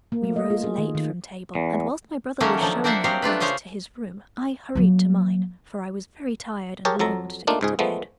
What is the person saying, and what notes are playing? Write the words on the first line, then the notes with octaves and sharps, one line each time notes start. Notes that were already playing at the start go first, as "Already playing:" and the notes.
We rose late from table, and whilst my brother was showing our guest to his room I hurried to mine, for I was very tired and longed to get to bed.
A#3
A3
D#5
F4
G#4
D#3
D#3
E2
D#3 F#3 A3 A#3 C#4 A4
D3 F3 F#3
A#3 C4 D4 C5 E5 F#5
F#3 C4 G4 G#4 F5
A3 D4 F4 B4
C#3 C#4 G#4 C5 C#5
F#3 A#3
G4 G#4 A#4 C#5 A5
F2 F#3 A4 A#5
A3 A#3 D4 D#4 F4
C#2 G#2 G#4
F3 G#3 A3 B3